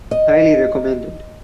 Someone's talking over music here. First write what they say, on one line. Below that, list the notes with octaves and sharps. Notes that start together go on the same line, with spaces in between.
Highly recommended.
D#5